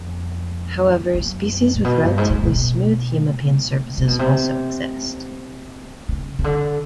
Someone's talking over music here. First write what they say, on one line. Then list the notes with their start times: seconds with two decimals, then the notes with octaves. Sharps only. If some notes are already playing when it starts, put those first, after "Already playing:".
However, species with relatively smooth hemipene surfaces also exist.
Already playing: F2
1.15 F#2
1.74 A#2
1.84 B2
2.04 G2
2.18 G#2
2.30 A2
2.43 A#2
2.55 B2
3.97 C3
4.07 B2
4.19 C3
6.09 C#3
6.39 C#3
6.44 D3